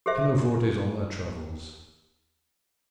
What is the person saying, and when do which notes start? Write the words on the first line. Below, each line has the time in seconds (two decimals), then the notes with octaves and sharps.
Pianofortes on Their Travels.
0.06 G4 G#4 C5 E5